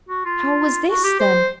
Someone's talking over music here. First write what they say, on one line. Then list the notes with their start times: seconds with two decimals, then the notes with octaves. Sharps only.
How was this, then?
0.09 F#4
0.25 F4
0.88 F#4
1.04 G4
1.19 C5